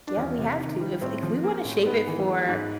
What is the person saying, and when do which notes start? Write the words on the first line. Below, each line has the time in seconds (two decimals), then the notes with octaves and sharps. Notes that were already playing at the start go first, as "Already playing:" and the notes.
Yeah, we have to. If if we wanna shape it for,
0.07 D4
0.17 E2 C#4
0.39 C3
0.60 D#3
0.80 G3
1.01 A2 C4
1.23 F3
1.43 A#3
1.65 A2
1.86 G#2 B3
2.07 E3
2.28 G#3
2.49 G#2